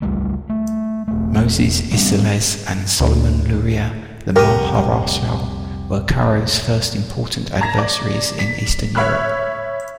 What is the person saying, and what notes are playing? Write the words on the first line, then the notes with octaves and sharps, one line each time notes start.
Moses Isserles and Solomon Luria-the Maharshal, were Karo's first important adversaries in Eastern Europe.
C#2 G3 A3
A3
E1 A3
G3 B3 C4 D4
D2
C2 F2 F#4 G4 A#4 D#6
A5 A#5 G#6 A#6
D5
B6
C#5 E5 B5 F6 F#6